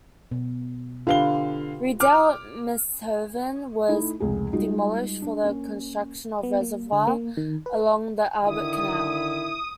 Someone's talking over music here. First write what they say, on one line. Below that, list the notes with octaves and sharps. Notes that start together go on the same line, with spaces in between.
Redoubt Massenhoven was demolished for the construction of a reservoir along the Albert canal.
B2
D3 F4 G4 B4 F5 G7
D6 F6
A3 D#4 E4
F1 C#2 G#4
G3 G#3 D#4 F4 F#4
D4
A#3 C#4
B3
A#3
D3
A#3
D#3
B4
D3 D#3 E4 D#6